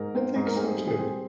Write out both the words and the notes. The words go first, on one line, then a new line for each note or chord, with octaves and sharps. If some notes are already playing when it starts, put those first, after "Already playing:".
I think so too.
Already playing: G#2 A#4
C4
G#2
A#4
C4 G#4
G3
G#4
C4